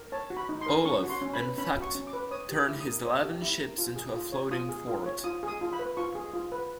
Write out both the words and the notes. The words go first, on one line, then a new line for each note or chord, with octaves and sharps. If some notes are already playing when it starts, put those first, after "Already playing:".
Olaf, in fact, turned his eleven ships into a floating fort.
Already playing: A#4
C#5 A5
F#4
B5
D#4
A#4 C6
C#4 C#6
F#4
C6
C#4
B5
B4
C#4 B5
F#4
C#6
C#4
D6
B4
C#5 D#6
G4
D6
E4
D#6
A#4
C#5 D#6
G4
E4
A#4
F4
G#4
F4
C#5
F4 D#6
G#4
F4
C#5
F4 D#6
G#4 D#6
F4
B5
B4
F4 C#6
G#4
F4
B4